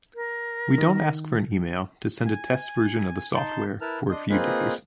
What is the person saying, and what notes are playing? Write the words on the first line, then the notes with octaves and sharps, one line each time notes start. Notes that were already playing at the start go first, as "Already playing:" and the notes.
We don’t ask for an email to send a test version of the software for a few days.
A#4
D#3
G#5
D#4 A5 C6 G6
E4 A#4 B4 A5 F6
D4 D#5 C6
A#3 C4 F4 G#4 B4 D#5